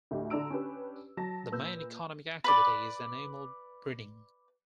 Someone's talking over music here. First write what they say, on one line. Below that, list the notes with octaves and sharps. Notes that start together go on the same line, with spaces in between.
The main economic activity is animal breeding.
D2 A2 G4 D#5
D3 D5 A#5 E6 D7
C#4 D4 G4 B4
F#3 A5 A#6
A#2 B4 E6 G6
B4 D5